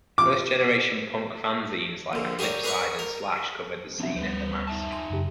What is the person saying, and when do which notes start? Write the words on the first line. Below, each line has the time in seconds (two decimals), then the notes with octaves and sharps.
First generation punk fanzines like "Flipside" and "Slash" covered the scene at the Masque.
0.18 D6
2.13 A#1 D3
2.39 G4 G#4 A#4 C#5 D5
2.64 G#4 A#4 B4 D5 F#5 C#6
2.99 A#4
4.00 F3 B3 C4 D4 E5
4.16 D2 G3 B3 B4 C5
4.67 D#4 E5 A5
4.92 G#5 C6
5.10 F#2 C#3 G4